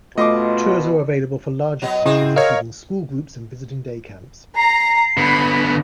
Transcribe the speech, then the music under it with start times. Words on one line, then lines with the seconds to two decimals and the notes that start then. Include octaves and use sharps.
Tours are available for larger parties including school groups and visiting day camps.
0.18 B2 A3 F4 D#5 C6 D6
1.82 F#3 B3 D#5
2.06 C#3 C4 E4 F#4 G#4
2.36 A#4 C#5 D#5 F5
4.57 A#5 C7
5.17 D3 B3 B5